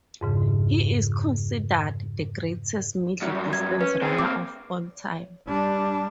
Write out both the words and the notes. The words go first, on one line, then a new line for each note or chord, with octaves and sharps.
He is considered the greatest middle-distance runner of all time.
F2 G#2 C#3
G2 F#3
G#6
C#4 B4
C4 G#4
A#3 C4 D6
G3 D4